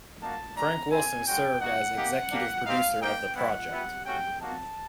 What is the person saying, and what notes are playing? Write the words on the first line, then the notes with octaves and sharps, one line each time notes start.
Frank Wilson served as executive producer of the project.
A#3 D#4 F#4 A5
A3 D4 G4 A#5
C4 E4 G4 G#5
G#3 C#4 F#4 G5
A#3 D#4 F#4 F#5
A#3 D#4 G4
A#3 D4 G4
C4 D#4 G4 F5
A#3 D#4 G4 G5
G3 B3 E4 G4 F#5
B3 E4 G4
A3 C#4 F#4 G5
A#3 D#4 F#4 A5